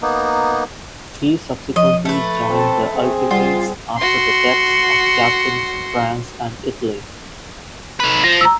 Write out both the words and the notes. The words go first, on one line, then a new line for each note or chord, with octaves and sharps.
He subsequently joined the Ultimates after the deaths of Captains France and Italy.
A#3 B3 D#4
F3 D#5
A3 B4
C4 A4
C4 G#4
G3 F4 F#5 C6
F#4 C6
D#4 B4
F3 A#6
A#5 E6